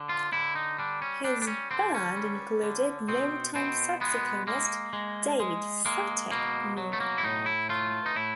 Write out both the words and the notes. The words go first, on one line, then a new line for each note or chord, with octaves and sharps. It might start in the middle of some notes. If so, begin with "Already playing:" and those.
His band included longtime saxophonist David "Fathead" Newman.
Already playing: D3
F4
D3 E4
D#4
G3 D4
C#4
G3 D4
D4
C#4
D3 C4
C#4
G3
D3
B2 C4
B2 C4
G#3 B3
G#3 A#3
G#3
G#3
G#3 A#3
B2 A#3
F#3
A3
A#3
E4
A2 D#4
E4
A3 F4
D#4
A2 E4